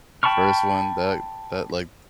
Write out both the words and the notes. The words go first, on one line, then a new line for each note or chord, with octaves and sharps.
First one that that, like,
G5 A5 B5 C#6 F6